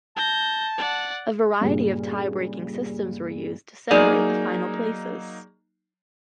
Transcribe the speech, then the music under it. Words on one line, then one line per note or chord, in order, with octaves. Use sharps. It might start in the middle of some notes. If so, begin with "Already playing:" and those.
A variety of tie-breaking systems were used to separate the final places.
A5 G6 A#6
D5 F#5
G2 A#2 C#3
F#3 A#3 D#4 G#4 D5